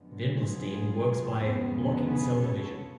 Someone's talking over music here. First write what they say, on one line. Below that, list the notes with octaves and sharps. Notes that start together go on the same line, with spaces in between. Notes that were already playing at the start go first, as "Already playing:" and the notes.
Vinblastine works by blocking cell division.
Already playing: F#2 D3 F3 G#3 B3
F4 G#4
F2 C#3 G#3 B3
G#4 B4
A4 C#5